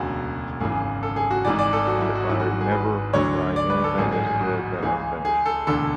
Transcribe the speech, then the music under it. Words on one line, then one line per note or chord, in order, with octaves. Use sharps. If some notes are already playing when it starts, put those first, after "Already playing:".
And if I never write anything as good, then I'm finished.
Already playing: E1 D2 C#3 F#4
G#1 F#2 C#3 E3 G#4
A4
G#4
F#4
G#1 G#2 E3 D5
D5
A4
F#4
E4
F#4
G#1 G#2 E3 E4
F#4
F#4
G#4
B4
D2 D3 F#3 C#5
D5
B4
A4
A1 G#2 F#3 G#4
G#4
G#4
F#4
C#2 C#3 E3 G#4
G#4
A4
E1 D2 D3 A4